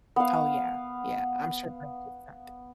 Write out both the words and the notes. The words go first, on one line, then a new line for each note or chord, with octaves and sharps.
Oh, yeah, yeah, I'm sure that's just something
B3 F5